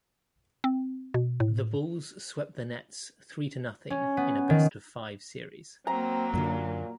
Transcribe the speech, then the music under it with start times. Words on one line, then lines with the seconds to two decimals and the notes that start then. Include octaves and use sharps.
The Bulls swept the Nets three to nothing in a best of five series.
0.64 C4
1.14 B2
1.40 A2
3.90 C#4
4.17 B3
4.50 D#3
5.87 F#3 A#3 C4 A#5
6.34 F#2 A#2 D3